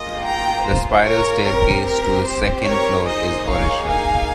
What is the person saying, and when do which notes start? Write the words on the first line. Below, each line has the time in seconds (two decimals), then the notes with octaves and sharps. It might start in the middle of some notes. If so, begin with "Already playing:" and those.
The spiral staircase to the second floor is original.
Already playing: A#3 F4 G#4 D#5
0.24 G5 A#5
0.64 C5
1.05 A#4 C#5
1.45 C4 G4 A#4
1.85 A#4
2.26 C5
2.66 A#4 C#5
3.05 A#3 D#4 G#4 C5 D#5
3.46 C#5 F5
3.86 F5 G#5